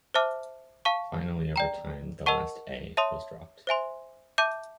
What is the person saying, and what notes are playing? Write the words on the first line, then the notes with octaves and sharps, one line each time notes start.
Finally over time the last "a" was dropped.
C5 E5 A5 D6 F6
F5 A5 C#6
D5 G5 A#5
A#4 D#5 F#5 A5 C#6
C#5 E5 A5 C6 D#6
C5 E5 G#5 C6
E5 A5 D6 G6